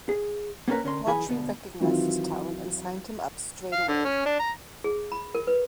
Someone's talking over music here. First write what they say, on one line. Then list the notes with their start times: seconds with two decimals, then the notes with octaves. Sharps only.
Autrey recognized his talent and signed him up straight away.
0.09 G#4
0.68 A#3 B3 C#4 D#4 A#4 B4
0.84 D3 C#4 A#4 C6
1.06 B1 E3 E4 G#4 G#5 B5
1.29 D2 B2
1.80 D#3 E3 F#3 C4 E4 F4
3.72 F5
3.88 D3
4.05 C#4
4.26 D4
4.39 A#5
4.84 G#4
5.12 B5
5.35 A#4
5.47 B4